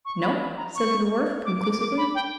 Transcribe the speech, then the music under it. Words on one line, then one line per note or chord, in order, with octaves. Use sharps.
"No," said the dwarf, conclusively.
C#6
B5
B5
A#5
C#6
D6
D6
D6
B5
G5